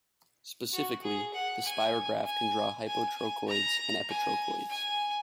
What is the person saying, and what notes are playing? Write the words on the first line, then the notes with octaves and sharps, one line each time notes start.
Specifically, the Spirograph can draw hypotrochoids and epitrochoids.
F#4
G#4
F#5
G#5
G#5
G#5
G#5
A#5
G#5
G#5